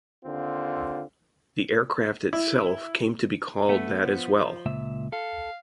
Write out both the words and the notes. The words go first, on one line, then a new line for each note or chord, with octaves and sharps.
The aircraft itself came to be called that as well.
D#2 D3 C4 F4
E4
A3 B3
F3
C#2 A#2 E5
A4 F5